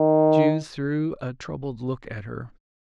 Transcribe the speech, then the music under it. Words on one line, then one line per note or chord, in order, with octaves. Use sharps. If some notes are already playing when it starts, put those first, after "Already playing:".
Jude threw a troubled look at her.
Already playing: D#3